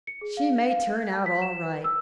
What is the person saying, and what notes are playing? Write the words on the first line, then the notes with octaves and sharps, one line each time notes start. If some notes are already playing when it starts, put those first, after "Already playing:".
She may turn out all right.
C#7
G#4
F5
F5
F5
G#6
A5
B6
E7
B4
E6